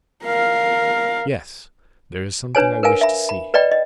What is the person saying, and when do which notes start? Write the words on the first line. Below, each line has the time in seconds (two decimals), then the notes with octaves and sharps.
"Yes, there is something I wish to see."
0.24 A#4 F5
2.55 D4 B4 C#5 G#5
2.83 A#4 B4 F5 G#5
3.01 E5 B5
3.29 B5
3.54 B4 D5 D#5 G5 B5
3.72 D#5